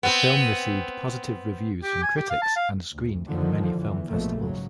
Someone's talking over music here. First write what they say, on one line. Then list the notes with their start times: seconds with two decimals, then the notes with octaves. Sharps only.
The film received positive reviews from critics and screened in many film festivals.
0.03 B3 C4
1.83 G4
2.02 G#5
2.16 G4
2.30 F5
2.42 A5
2.56 F5
2.91 D2
3.27 D#2 D3 D#3 F3
3.74 E2 E3
4.08 A#1 G#2 B2 F3 A3 A#3
4.37 G#2 C#3 F#3